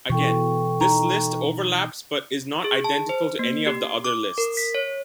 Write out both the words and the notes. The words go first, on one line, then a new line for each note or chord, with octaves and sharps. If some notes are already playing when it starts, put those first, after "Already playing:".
Again, this list overlaps but is not identical to any of the other lists.
B2 E3 A4 G5 C#6
D#4 A#5
G#4
A5
C5
A#3
G4
D6
A#4
B6
C#5